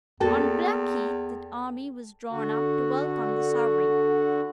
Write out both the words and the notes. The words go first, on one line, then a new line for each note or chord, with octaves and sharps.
On Blackheath the army was drawn up to welcome the sovereign.
E2 A#3 F#4 A4 G5 A5 A6
D3 F#4